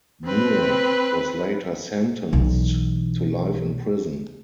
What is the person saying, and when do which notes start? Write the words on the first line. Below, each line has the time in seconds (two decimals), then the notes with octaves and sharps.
Moore was later sentenced to life in prison.
0.25 C4 B4
2.33 B1 E3